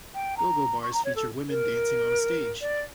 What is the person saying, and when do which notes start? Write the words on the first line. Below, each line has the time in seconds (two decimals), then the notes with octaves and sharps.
Go-go bars feature women dancing on a stage.
0.15 G5
0.38 A#5
0.82 C#6
0.93 A#5
1.05 C#5
1.16 A4
1.50 A#4
2.62 D5